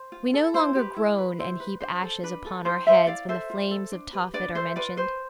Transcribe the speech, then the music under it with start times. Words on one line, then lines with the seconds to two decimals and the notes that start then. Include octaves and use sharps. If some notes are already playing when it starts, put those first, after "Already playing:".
We no longer groan and heap ashes upon our heads when the flames of Tophet are mentioned.
Already playing: C5
0.12 F4
0.34 A4
0.54 E4 C5
0.75 G4 B4
0.97 E4
1.18 B4
1.39 E4 C5
1.60 B4
1.81 D4 C5
2.03 A4
2.23 D4 B4
2.44 F4 A4
2.65 E4 C5
2.87 B4 C5 E5
3.07 E4 D5 F5
3.29 A4 C5 E5
3.50 F4
3.71 A4
3.92 D4
4.13 G4 B4
4.34 D4 B4 D5
4.55 A4 C5 E5
4.76 F4 B4 D5
4.97 B4 C5